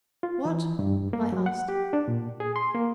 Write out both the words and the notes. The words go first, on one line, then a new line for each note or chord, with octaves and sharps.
"What?" I asked.
F4
E3
G2
A#3
F#3
F#5
G4
D4
A#2
G#4
C6
A#3